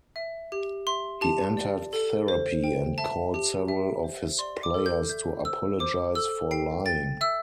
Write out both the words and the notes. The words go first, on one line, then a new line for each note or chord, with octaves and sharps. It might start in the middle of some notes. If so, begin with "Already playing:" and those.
He entered therapy, and called several of his players to apologize for lying.
E5
G4
E5 C6
G4 A5
D5
A4
C5
G5
E5 A5
G4
E5
C5
D5 C6
D6
A4
G6
E5 G6
C5 E6
C5 D6
A4 E6
G5 C7
G5 A6
E5 E6